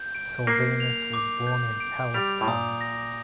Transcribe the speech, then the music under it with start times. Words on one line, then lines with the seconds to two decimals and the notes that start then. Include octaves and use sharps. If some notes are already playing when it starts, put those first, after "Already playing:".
Silvanus was born in Palestine.
Already playing: G6
0.15 D7
0.47 A#3 C7
0.80 F7
1.13 D6
1.47 G6
1.80 D7
2.14 G3 F7
2.41 A2
2.47 A#2 D#6
2.81 A#6